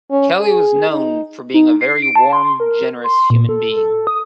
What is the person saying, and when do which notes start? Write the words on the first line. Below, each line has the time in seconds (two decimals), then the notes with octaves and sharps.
Kelly was known "for being a very warm, generous human being".
0.11 C#4
0.41 G#4
0.89 D#4
1.54 D#4
1.81 C7
2.02 D7
2.16 A5
2.33 C6
2.60 A#4
3.04 C6
3.30 A#2
3.49 A4
3.76 A4
4.07 D#6